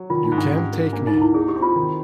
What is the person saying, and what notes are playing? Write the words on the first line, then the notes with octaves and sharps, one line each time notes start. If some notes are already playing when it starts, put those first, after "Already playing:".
You can't take me!
Already playing: F#3
D#3 F4
D#4
G#2
D4
G3 C#4
A#3
A#3 D4
D#4
D2
E4
D#4 G#4
G4
C4
F4
D#3